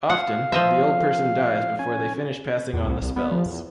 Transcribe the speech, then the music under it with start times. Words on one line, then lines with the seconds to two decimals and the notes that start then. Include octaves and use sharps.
Often, the old person dies before they finish passing on the spells.
0.10 F5 F#5
0.52 F3 D#5 E5
1.79 C#4 G#5
2.73 E2
2.86 C2
3.02 C2
3.16 B3
3.32 F3
3.46 E2